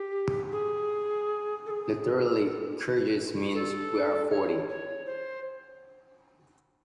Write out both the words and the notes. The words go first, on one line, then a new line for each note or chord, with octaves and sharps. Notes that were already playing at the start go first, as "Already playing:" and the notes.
Literally, Kyrgyz means "We are forty".
Already playing: G4
G#4
A4
G#4
A4
A4
C#5
C#5
C5